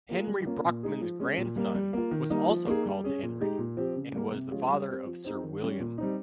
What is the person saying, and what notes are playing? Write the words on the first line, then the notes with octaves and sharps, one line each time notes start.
Henry Brockman's grandson was also called Henry, and was the father of Sir William.
A#3 F4 G#4
G3
A#3 C#4 F4
A#2
G#3 D#4 G#4
F3
G#3 C#4
A#2
G3 A#3
G3
A#3 F4
D#3
G3 A#3 D#4 G4
F3
A#3 D#4 G#4
G3
C#4 G#4
A#2
G#3 D#4 G4
A#2
F3 C4 G4
C#3
G3 A#3
C3
F3 G#3 C#4 F4
G3
C4 G4
F3
C4 D#4 G#4
D#3
G3 C#4
A#2
G3 C4 D#4